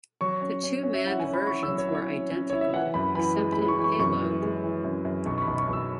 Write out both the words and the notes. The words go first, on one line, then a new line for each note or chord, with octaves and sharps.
The two manned versions were identical except in payload.
F#3 C#6
C#4
C#4
C#4
E5
E4 F#5
G#5
C#4
B5
E4 C#6
E6
F#3
C#5
E4
C#5
C#4
C#4
E4 C#5
E5
E3 F#5
F#2 B5
E3 B5
G#3
B5
G#3
C#6
E3
C#6
F#2 C#6
E3
G#3
E3
F#2
F#2
B1 C#6
C#6
B5
B1
C#6
B1
E6